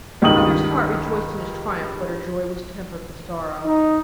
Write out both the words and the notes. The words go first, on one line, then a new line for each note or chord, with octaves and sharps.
Her mother's heart rejoiced in his triumph, but her joy was tempered with sorrow.
C#2 G2 D#3 D#6 F#7
D#4